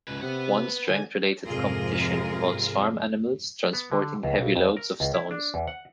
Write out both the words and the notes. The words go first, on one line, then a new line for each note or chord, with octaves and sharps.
One strength-related competition involves farm animals transporting heavy loads of stones.
C#2 G#2 B4
C3 B4 F#5
D3 G#5
F2 G#2 C3 F4 G#4 A#4
B3
D3
C#2
B1
F2
A#4
C#2
E4
D4
E2
F#5